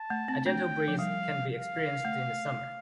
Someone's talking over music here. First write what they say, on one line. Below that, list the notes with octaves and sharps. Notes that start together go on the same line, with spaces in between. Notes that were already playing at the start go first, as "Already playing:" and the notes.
A gentle breeze can be experienced in the summer.
Already playing: A5
A3
C4
A3 D4 G5
F3
G3 F5
F5
A3